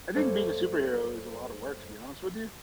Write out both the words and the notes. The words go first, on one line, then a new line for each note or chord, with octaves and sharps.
I think being a superhero is a lotta work, to be honest with you.
F#2 G3 A#3 A4 C5 C#5